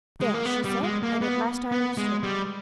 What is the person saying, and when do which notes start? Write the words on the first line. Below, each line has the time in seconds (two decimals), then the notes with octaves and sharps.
"There!" she said--and at last I understood.
0.21 G#3
0.34 A#3
0.46 B3
0.64 G3
0.83 G#3
1.03 A#3
1.21 B3
1.72 B3
1.97 G#3
2.23 G3